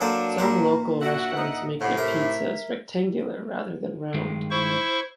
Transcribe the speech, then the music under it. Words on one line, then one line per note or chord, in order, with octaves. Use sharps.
Some local restaurants make their pizzas rectangular rather than round.
F#3 A#3 D4 A4 C5
A#2 C5 A#5
D4 F#4 E5 F#5
D#4
A2 C3 F#5
A#4 E5
G2 D#3 G#3
E4 C5 C#6